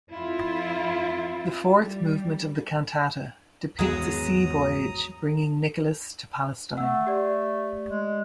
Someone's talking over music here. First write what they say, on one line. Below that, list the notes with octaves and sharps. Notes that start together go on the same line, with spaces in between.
The fourth movement of the cantata depicts a sea voyage bringing Nicolas to Palestine.
F2 E4 F4
G3
G#1 E2 F#3 G#3 B3 G#4 A#5 D#6
A3 F#5 E6
G4 D5
G#3